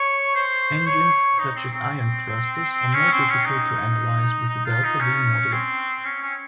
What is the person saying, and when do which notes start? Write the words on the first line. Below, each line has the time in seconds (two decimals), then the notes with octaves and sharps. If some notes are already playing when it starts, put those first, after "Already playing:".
Engines such as ion thrusters are more difficult to analyze with the delta-"v" model.
Already playing: C#5
0.35 C5
0.87 C#5
1.39 D#4
1.56 C4
1.73 C4
2.93 C#4
3.12 C4
3.29 C#4
3.46 D#4
4.49 D#4
4.66 F4
4.84 D#4
5.00 C#4
5.52 C4
6.05 C#4
6.22 C#4